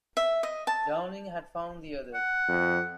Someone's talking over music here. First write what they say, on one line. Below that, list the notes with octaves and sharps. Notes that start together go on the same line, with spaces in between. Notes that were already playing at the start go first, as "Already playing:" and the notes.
Downing had found the other.
E5
D#5
A5
F#5
F2